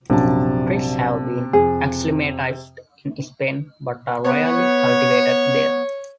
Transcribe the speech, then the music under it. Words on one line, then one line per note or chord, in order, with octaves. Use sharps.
Trees have been acclimatized in Spain but are rarely cultivated there.
A#1 F#2 C3 F#3 A5
F2 G#4
B3 C#5